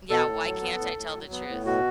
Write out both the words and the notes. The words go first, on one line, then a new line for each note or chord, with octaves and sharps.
Yeah, why can't I tell the truth?
B2 A4
A2
F#3
B3
A2
A2
F#3
B3
A2
B2 F#4